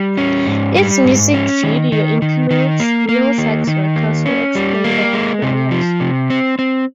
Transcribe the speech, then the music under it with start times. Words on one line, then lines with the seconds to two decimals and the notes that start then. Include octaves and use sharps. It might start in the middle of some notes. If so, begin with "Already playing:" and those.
Its music video includes real sex workers who explain their careers.
Already playing: G3
0.18 C#4
0.47 G#2
0.76 G3
1.05 G#2
1.34 C#4
1.63 D#3
1.92 D#3
2.22 D#3
2.51 D#3
2.80 A#3
3.09 A#3
3.38 D#3
3.67 D#3
3.96 A#3
4.26 C#4
4.55 G3
4.84 A#3
5.13 G#3
5.42 C3
5.71 F3
6.00 C3
6.30 C4
6.59 C4